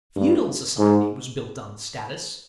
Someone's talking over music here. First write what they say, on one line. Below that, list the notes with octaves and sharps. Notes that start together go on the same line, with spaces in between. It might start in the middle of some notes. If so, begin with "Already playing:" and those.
Feudal society was built on status.
G2
G#2